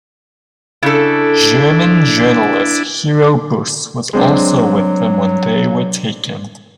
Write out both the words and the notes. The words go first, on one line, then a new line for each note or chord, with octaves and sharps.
German journalist Hero Buss was also with them when they were taken.
C#3 D4 E4 A4
F#3 G#3 C4 D4